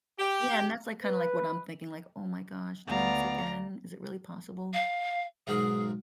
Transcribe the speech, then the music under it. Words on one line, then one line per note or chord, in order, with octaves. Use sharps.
Yeah, and that's, like, kind of, like, what I'm thinking, like, "Oh my gosh, doing this again, is it really possible?"
G4
B4
D2 B3 D5 F5 A#5
F5
B1 G#2 G#4 A#4